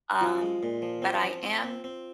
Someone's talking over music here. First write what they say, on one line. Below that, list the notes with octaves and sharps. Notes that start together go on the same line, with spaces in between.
um, but I am
F3 F4
G#3
A#2
F3
C4
F3
C4
C4
C4